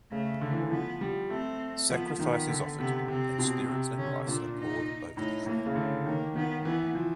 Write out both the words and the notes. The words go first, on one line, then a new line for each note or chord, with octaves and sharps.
Sacrifice is offered, and spirits and rice are poured over the tree.
C#3 A3
D3
E3
E3
F3 B3
G3
A3 C4
F3 B3
D#3 B3
D3
C3 B3
C3 C4
B2
C3
D3 C#4
A#2 D4
D#4
A2 D#4
A2 A#3
C#3
D3 A3
D#3 A#3
D#3 B3
E3 B3
F3